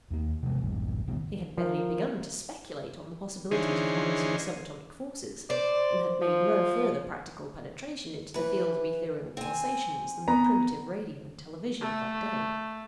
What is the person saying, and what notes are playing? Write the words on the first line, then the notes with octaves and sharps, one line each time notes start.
He had barely begun to speculate on the possibilities of harnessing sub-atomic forces, and had made no further practical penetration into the field of ethereal pulsations than the primitive radio and television of that day.
D#2 A#3
C3 F3 F#3 G#3
D1 A1 G3
G1 C#2 B2 D#3
F3 A#4
D3 E3 C#4 D#4 G#4 C5
C5 D5
F3
E3 B4
C4 G#5
B3 A#5
A3